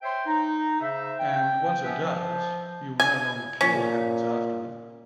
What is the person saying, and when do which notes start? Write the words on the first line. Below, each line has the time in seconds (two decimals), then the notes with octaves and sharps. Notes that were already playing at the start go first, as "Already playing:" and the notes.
And once it does, you will no longer care what happens afterward.
0.02 C5 C#5 E5 G5 C6
0.26 D#4
0.80 C#3 C5 E5
1.19 G5
1.84 F3 B3 C#4 B4 E5
2.00 F3
3.00 G#5
3.61 A#2 C#4